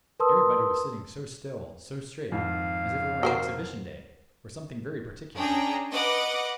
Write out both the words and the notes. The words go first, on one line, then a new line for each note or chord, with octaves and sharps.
Everybody was sitting so still, so straight--as if it were an exhibition day, or something very particular.
A#4 B4 A5 C6 D#6 E6
F2 G#2 D#3 F5
F#4 A#4 C5
C#4 D4 G#4 G5 A#5
B4 D#5 F#5 D6